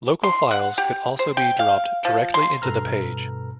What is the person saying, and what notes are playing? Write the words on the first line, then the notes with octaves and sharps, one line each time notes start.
Local files could also be dropped directly into the page.
C6
F#5
G4
C5
G5
F5
F3
C6
G2 B2 A4 B4 A#5 F6